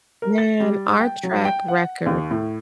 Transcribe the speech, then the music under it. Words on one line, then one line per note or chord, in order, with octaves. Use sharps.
Man, our track record
A#4
A6
G3
G5
F#3
G5
F#5
D#2
A2